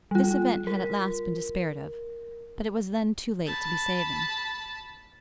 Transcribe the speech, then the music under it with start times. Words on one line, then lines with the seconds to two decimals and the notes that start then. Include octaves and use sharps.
This event had at last been despaired of, but it was then too late to be saving.
0.11 G3 F4
0.67 A#4
3.47 A5 B5